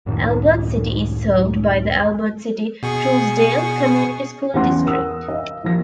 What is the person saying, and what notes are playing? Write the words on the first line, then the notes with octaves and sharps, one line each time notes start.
Albert City is served by the Albert City-Truesdale Community School District.
C#2 F#2 A2 D#3
B2 G#4 C#6
E2 B3 C#4 F#5 C6 A#6
A#4 F#5 D#6 E6
D#5 F5
E3 F3 A#3 A#6